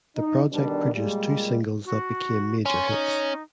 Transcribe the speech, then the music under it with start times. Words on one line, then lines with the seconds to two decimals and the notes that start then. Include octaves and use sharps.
The project produced two singles that became major hits.
0.17 D#4
0.52 B2 D3 D#3 G3 D4
0.93 A#2 G3 G#3
1.85 F#4
2.66 C#4 C6
2.90 D#4